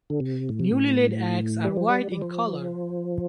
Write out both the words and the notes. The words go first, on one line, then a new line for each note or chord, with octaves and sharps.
Newly laid eggs are white in color.
D3
C3
A2
C3
A2
G3
F3
G3
G3
F3